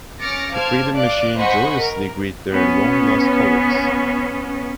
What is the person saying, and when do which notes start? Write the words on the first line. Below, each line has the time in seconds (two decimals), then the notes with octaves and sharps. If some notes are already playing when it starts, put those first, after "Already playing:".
The Freedom Machine joyously greet their long lost colleagues.
0.22 C#4 D6 F6 A6 A#6 C#7
0.54 C5 F5 A5 D6 F6 G#6
0.94 D5 F5 D6 F#6
1.36 C5 D#5 F#5 G#5 B5 C#6
1.79 A#4
2.53 B3 C#4